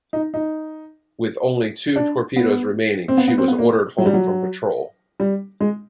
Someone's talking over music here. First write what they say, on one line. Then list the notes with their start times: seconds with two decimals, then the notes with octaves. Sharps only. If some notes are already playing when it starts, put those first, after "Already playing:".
With only two torpedoes remaining, she was ordered home from patrol.
0.13 D#4
0.34 D#4
1.96 D4
2.36 B3
3.08 C4
3.17 B3
3.28 B3
3.38 C4
3.48 B3
3.58 A#3
3.98 F#3
4.06 G3
4.14 F#3
5.20 G3
5.60 G#3